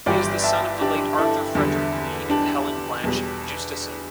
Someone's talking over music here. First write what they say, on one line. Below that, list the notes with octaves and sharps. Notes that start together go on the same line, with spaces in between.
He is the son of the late Arthur Frederick Lee and Helen Blanche Justason.
G1 G2 E3 G3 D5 G5
E5 A5
D4 G4
E4 A4
E2 D3 G3
D4 G4
E2 B2 G3